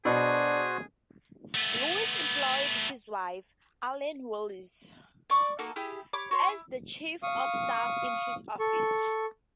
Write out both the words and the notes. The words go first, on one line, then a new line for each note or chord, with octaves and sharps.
Lewis employed his wife, Arlene Willis, as the chief of staff in his office.
B2 D4 F#4 G#4 C5
A3 B3
D5 C#6 D6
A#3 D#4 F#4 A4
E4 G4 G#4
G4 C#5 B5 D6
F#4 C#5 C6
E4
F5 C#6 D#6
A4 C#6